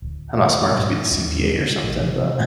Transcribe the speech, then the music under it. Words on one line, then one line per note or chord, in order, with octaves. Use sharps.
I'm not smart enough to be the CPA or something, but
D1
G#2
D#2
G#3
A1
C3